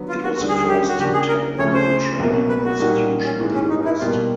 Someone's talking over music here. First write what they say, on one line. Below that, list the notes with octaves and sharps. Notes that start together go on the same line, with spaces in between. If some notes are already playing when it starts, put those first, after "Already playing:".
It was the first technical training institution in the West.
Already playing: D3 F#3 B3
F4
F#4
D#2 D3 G3
G#4
G#4
G4
F#4
C#3 F3 A#3 D4 G4
G#4
A#4
D2 C#3 F3 A3 C#4 C#5
C5
C2 B2 F#3 A#3
B4
F#4
A#2 G3 A#3 D#4 F#4
C#4
G#2 E3 G#3
C#4
D#4
E4
B2 G3 A#3 F4